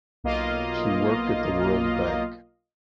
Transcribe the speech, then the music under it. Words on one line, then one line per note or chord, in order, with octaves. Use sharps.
She worked at the World Bank.
B1 A#3 F4 D#5 F5